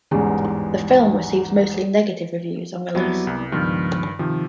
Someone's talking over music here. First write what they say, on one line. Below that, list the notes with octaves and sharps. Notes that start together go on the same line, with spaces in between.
The film received mostly negative reviews on release.
A1 E2 G#2 G3 G#3
F2 F#3 G3 B3 E4
C2
C#2 G2 D#3 F3 B3
C3 D#3 F3